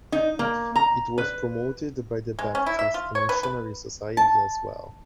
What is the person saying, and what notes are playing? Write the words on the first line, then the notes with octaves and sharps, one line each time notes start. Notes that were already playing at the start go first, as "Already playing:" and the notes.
It was promoted by the Baptist Missionary Society as well.
D#4
A#3
A#5
B4
G#3
C#4
E4
E5
F4
C#5
B4
B4
A5